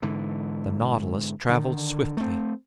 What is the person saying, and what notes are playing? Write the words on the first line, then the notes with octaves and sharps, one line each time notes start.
The Nautilus traveled swiftly.
G#2 D3 E3
D3 D#3
A3 C4